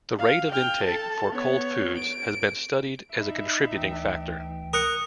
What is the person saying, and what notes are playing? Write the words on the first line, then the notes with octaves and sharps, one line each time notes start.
The rate of intake for cold foods has been studied as a contributing factor.
F5
G5 F6
A4 A5
B3 C#5
D7
D#4 E5 B5
D2 E3 G5
A#4 D#6 F#6 C#7